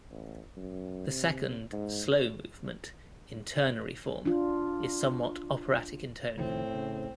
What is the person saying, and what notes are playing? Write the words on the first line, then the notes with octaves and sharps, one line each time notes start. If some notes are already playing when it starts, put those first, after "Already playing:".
The second, slow movement, in ternary form, is somewhat operatic in tone.
A1
F#2
C3
G#2
D4 F4
C2 A2 D#3 F3 C4
C#3